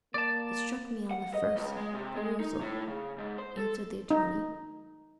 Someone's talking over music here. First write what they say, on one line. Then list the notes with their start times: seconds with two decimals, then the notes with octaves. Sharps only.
It struck me on the first perusal,' answered the attorney.
0.14 A#3 D5 A5
1.11 F#5
1.34 D#5
1.56 C#2
1.76 G#3
1.94 C3
2.16 G#3
2.40 D#4
2.61 A2
2.88 C#3
3.18 G#2
3.38 C5
3.57 A4
4.10 D#4